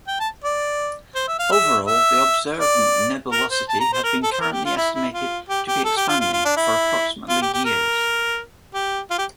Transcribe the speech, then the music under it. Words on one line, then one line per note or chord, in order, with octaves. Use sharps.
Overall, the observed nebulosity has been currently estimated to be expanding for approximately years.
G5
A5
D5
C5
E5
F5
E5
E5
D5
A#4
C5
A5
A#5
C5
A#4
A4
C5
A#4
G4
F4
E4
E4
F4
G4
G4
A4
G4
F4
F4
F4
D4
E4
F4
G4
G4
A#4
G4
F4
G4